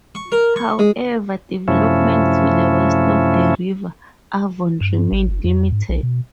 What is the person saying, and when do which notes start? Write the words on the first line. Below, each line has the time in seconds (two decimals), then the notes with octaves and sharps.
However, development to the west of the River Avon remained limited.
0.15 C#6
0.32 A#4
0.56 C#6
0.79 G#3
1.68 F#2 C3 F3 A3 C#4 E4
4.81 G2
5.12 G#1
5.29 F#1
5.44 F2
5.72 G#2
5.89 B1
6.03 B2